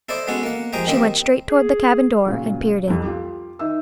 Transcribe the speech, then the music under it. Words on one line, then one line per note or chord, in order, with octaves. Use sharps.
She went straight toward the cabin door and peered in.
E4 A4 C5 D5 D#5
G#3 B3 C#4 F#4 A4
A#3 F#5
F2 C3 G#3 G5 A#5 D#6
D#3 G3 A#3 C4 D#5
G#4
A#2 C#3 F#3
C2 F2
F4 G4
D#3 D#4 E5 E6